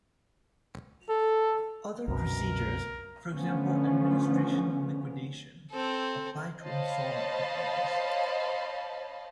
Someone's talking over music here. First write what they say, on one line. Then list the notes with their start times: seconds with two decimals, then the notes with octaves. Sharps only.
Other procedures, for example administration and liquidation, apply to insolvent companies.
1.09 A4
2.08 C2 F#2 B2 A#4
3.32 D3 F3 A3 B3 C#4
5.70 C4 A4
6.64 C5 C#5 D#5 F5 A5 B5